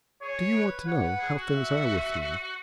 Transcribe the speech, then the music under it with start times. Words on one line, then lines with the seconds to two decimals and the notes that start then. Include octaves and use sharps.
"Do you want to know--how things are with me?"
0.21 G#4 C#5
0.54 B4
0.87 C#5 F#5
1.03 B4
1.19 G#4
1.36 F#4
1.52 E5